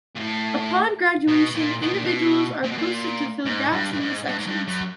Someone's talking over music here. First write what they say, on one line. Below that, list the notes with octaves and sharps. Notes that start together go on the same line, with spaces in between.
Upon graduation, individuals are posted to fill gaps in the sections.
A#2
A2
B2
A#2
B2
A#2
B2
A#2
B2
A#2
G#2
G2
G2
G#2
G2
G#2
G2
F#2